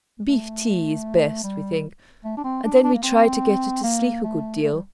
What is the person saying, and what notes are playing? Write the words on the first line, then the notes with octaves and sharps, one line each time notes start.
Beef-tea is best, we think; and then we try to get her to sleep a good deal.
A3
G3
A3
D4
C4
D4
D4
A#3
C4
A#3
A3
A3
G3